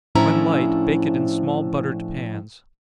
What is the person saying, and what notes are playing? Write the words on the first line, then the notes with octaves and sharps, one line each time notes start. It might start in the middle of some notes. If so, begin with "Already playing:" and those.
When light, bake it in small buttered pans.
A2 F3 C#4 D4 E4 A#5